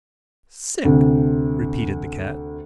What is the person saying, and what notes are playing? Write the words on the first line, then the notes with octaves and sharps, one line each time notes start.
"Sick!" repeated the Cat.
D2 C3